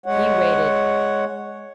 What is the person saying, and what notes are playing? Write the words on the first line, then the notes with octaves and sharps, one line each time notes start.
He waited.
G#3 C#5 F#5